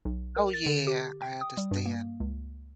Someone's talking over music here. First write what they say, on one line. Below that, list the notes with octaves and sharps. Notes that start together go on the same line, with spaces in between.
Oh, yeah. I understand.
B1
A#4
A6
D3
G4
G5
D#6
G3
G2
A#3
C#2